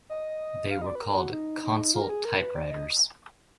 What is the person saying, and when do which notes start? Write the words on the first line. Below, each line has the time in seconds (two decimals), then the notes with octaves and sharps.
They were called "console typewriters".
0.10 D#5
0.71 F5
0.82 D#5
0.86 D5
0.95 B4
1.02 A#4
1.17 F#4
1.33 D#4
1.63 D#4
1.94 F4
2.02 A#4
2.09 G#4
2.25 A#4
2.40 B4
2.55 D5
2.71 D#5